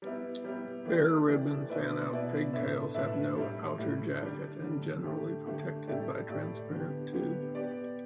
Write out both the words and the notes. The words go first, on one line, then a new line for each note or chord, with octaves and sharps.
Bare ribbon fanout pigtails have no outer jacket and generally protected by transparent tube.
G3 B3 E4
G3 B3 E4
E3 A3 G4 D5
E3 A3 G4 D5
B2 B3 E4 B4 D5
B2 B3 E4 B4 D5
A2 A3 D4 B4 E5
A2 A3 D4 B4 E5
A2 G3 E4
A2 G3 E4
D3 G3 D4
D3 G3 D4
D3 A3 G4
D3 A3 G4
A2 A3 E4 G4 D5
A2 A3 E4 G4 D5
D3 B3 G4
D3 B3 G4
B3 G4 D5